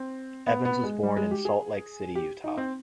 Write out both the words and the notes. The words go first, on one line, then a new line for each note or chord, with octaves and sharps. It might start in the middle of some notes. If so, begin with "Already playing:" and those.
Evans was born in Salt Lake City, Utah.
Already playing: C4
B3
B3
G#3
G3
G#3
G4
G#4
G4
D#4
C4